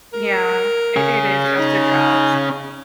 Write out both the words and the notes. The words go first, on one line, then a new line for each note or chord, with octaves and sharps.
Yeah. I it is just a dress.
A#4
C#4 G#4
D#4